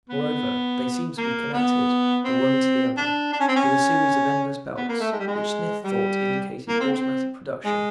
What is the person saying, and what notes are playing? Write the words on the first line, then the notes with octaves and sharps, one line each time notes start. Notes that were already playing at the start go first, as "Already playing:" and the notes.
Moreover, they seemed to be connected, the one to the other, with a series of endless belts, which Smith thought indicated automatic production.
B3
A#3
B3
C4
D4
D4
C#4
C4
C#4
B3
A#3
A3
G#3
G3
G#3
G3
A#3
C4
C4
G#3